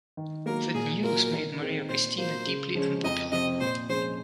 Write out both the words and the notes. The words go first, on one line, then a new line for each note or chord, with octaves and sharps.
That news made Maria Christina deeply unpopular.
D#3
F#3 A#3 A#4
A#2 G#4
F#3 A#3 F4 A#4
D#3
G#3 C4 D#4
A#2 C5
F#3 A#3 F4 C5
C#3
F3 G#3 C#4
F2 D#5
C3 F3 C4 D#5
A#2 C5
F3 G#3 C#4 C5